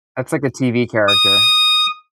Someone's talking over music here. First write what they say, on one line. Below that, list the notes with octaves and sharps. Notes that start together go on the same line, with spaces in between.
That's like the TV character.
D#6